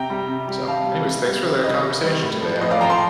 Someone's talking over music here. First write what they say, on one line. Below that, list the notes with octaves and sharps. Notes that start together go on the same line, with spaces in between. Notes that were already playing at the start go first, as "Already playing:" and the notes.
So, anyways, thanks for the conversation today. I I
Already playing: C3 G5 A#5
G3
C3
G3
C3 F5 A5
G3
C3
G3
C3
D#3 G3 D#5
C3
D#3 G3
A2
F3
A2 D#5
D5 F5
F3 G5 A#5
A5 C6